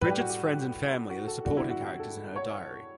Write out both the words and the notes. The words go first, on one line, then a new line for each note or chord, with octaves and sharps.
Bridget's friends and family are the supporting characters in her diary.
A2 G3 B4
G4
F#4
G4
F#4
A4
E2 D3 G3 F#4
E4
F#4
G4
A4
C#5